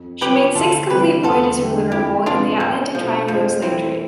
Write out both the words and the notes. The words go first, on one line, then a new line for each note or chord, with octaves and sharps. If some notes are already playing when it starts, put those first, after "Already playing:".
She made six complete voyages from Liverpool in the Atlantic triangular slave trade.
Already playing: F2
C3 F3 C4 G4 B4
D2 F4 A4
C3 E3 G3 D4 G4 B4
E2 F4 A4
D3 A3 D4 G4
F2 E4 G4
C3 F3 B3 D4 F4
C2 G3
B2 F3 A3 D4
F2 F3
E3 A3 C4 E4